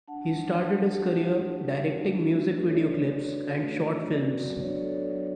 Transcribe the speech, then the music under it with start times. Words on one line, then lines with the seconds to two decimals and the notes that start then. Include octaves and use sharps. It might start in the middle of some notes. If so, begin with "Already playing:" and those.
He started his career directing music videoclips and short films.
0.08 D4 F#5 A5
0.24 G3
0.41 G3
0.57 F#4 G4 B4
0.74 D4 F#4 A4
0.91 G3 G4
1.08 G3 G4 B4
1.25 F#4
1.42 D4
1.59 G3
1.76 G3
1.91 F#4
2.09 D4
2.26 A3
2.43 A3
2.49 B4
2.59 F#4 A4 C#5
2.75 D4 B4 D5
2.92 A3 A4 C#5
3.09 A3
3.26 F#4
3.43 D4
3.60 A3
3.77 A3
3.93 F#4
4.10 B3 B4 D5
4.27 F#4
4.44 F#3
4.61 D4 C#5
4.71 D5
4.78 B3 A4 C#5
4.94 F#4
5.10 F#3